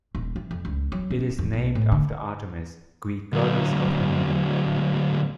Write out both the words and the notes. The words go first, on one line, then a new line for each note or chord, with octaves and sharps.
It is named after Artemis, Greek goddess of the moon.
D#1
E3
F2
C#2
F#3
C#4
F2
B1
A2
D3
D2 F#3